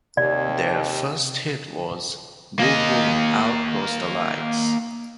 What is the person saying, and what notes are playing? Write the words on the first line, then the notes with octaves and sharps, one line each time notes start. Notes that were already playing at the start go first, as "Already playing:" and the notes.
Their first hit was "Boom Boom Out Goes The Lights".
D#2 C3 D5
A#3 D#5